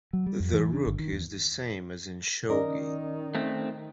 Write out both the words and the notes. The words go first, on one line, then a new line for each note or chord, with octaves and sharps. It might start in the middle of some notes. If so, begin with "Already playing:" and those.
The rook is the same as in shogi.
F#3
G3
F2
E3
D4
G1
D#3
E2
D#3 C#4 A#4 D5 D#5
A3 C4